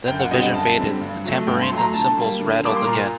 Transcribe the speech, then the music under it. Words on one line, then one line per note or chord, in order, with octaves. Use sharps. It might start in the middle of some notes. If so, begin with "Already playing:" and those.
Then the vision faded, the tambourines and cymbals rattled again.
F#2 G5
F#5
D3 G3 C4 D#5
F#5
F#2 A5
D3 G3 C4
G2
F#3 A3
G2 G5
C6
F#3 A3
A#5
D3 A5
G3 A#3
D3
G3 A#3 D6
C6
A#2 A#5